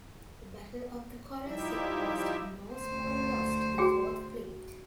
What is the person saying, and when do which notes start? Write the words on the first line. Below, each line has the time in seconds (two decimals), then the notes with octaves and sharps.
The Battle of the Coral Sea caused no small loss to the Fourth Fleet.
1.44 F3 G3 D#4 E4 G4 E5
2.73 D2 C5
3.78 F#4 G#4 G5